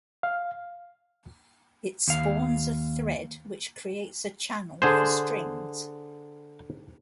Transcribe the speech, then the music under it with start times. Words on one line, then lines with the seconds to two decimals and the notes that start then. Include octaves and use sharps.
It spawns a thread which creates a channel for strings.
0.23 F5
2.08 D#2 F5
4.82 D3 G#4 C5